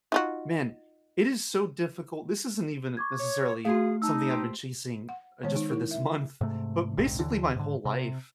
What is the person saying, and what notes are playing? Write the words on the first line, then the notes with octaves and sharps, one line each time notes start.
man, it is so difficult, this isn't even necessarily something I've been chasing, uh, just for this month, but basically my whole life
D#4 F4 F#4
C#6 D6 G#6
C#5
A3 F4 F#4 G#4 F5
D#4 A5 E6
G4 C5
F#5
D#3 G#3 B3 C#5
D#4
E4 A#4
E5
G#2 C3 A3
A#1 D#2 G#2 C3
D#2 D3 E3
G#2 D3
C3